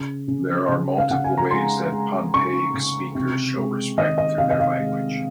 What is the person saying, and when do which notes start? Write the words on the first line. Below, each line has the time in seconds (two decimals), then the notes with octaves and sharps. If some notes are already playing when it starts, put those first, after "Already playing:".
There are multiple ways that Pohnpeic speakers show respect through their language.
Already playing: C#3
0.28 C#3
0.69 C#3
0.98 F5
1.10 C#3 F#5
1.24 G#5
1.38 A#5
1.51 G#3 C6
1.92 G#3
2.34 C#3 C#6
2.74 C#3
3.15 C3
3.56 G#3
3.98 D#3 D#5
4.18 D#5
4.38 C3 F5
4.50 D#5
4.60 F5
4.80 G#3